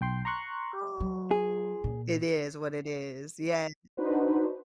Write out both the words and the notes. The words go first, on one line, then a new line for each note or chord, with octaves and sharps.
Oh, it is what it is, yes.
B1 G5 C6
A#5 C6 C#6 F#6
F#3
G#4
A#2
D4 D#4 F#4 B4 C5